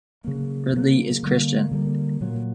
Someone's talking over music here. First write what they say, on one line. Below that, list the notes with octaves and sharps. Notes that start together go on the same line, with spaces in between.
Ridley is Christian.
C#3 F#3 A#3
C#3 F#3 A#3
D3 G3 A#3
D3 G3 A#3
A#2 F#3 A#3